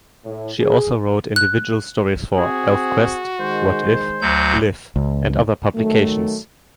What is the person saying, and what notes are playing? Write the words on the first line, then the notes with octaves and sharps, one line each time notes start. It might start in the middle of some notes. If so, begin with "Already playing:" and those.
She also wrote individual stories for "Elfquest", "What If", "Glyph" and other publications.
A2
G#4
F#6
C4 F#4 G#4
D#3 G#3 C5
D2 F#3 G6
C#2
D#3 F#3 A3